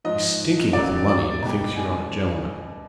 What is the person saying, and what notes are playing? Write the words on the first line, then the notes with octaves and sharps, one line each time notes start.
He's stinking with money and thinks you're not a gentleman.
G#2 F3 D#5
F#2 D#3 F#3 D5
D5
B2 G3
G#5